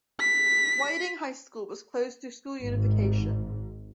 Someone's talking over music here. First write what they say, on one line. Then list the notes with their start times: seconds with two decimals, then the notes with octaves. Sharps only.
Whiting High School was closed through school unification.
0.20 B6
2.62 G#1 G#2